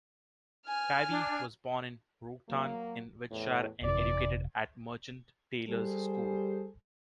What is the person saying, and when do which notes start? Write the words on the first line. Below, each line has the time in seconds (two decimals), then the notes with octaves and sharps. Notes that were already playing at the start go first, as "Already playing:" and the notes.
Pavy was born in Wroughton in Wiltshire and educated at Merchant Taylors' School.
0.67 G#5 F6
1.08 D4
2.47 F#3 A#3
3.29 E2 A2
3.82 G1 F2 C3 E3 D5
5.67 G3 G#4 A4 C5